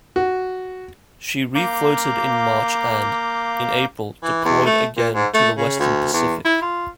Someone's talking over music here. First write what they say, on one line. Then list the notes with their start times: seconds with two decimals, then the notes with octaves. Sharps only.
She refloated in March and, in April, deployed again to the western Pacific.
0.16 F#4
1.55 A#3 F5 A#5 D6 G6
4.23 E3
4.45 E2
4.65 A3
4.97 A#2
5.15 G#2
5.34 A3
5.57 C#3
5.79 D2
6.13 E2
6.45 E4
6.62 F4